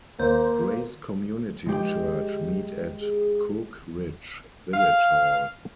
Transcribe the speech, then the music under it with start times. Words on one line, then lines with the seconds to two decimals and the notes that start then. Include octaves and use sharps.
Grace Community Church meet at Cookridge Village Hall.
0.19 D#2 A#3 C5
1.66 G#3 G4
3.01 G#4
4.74 F5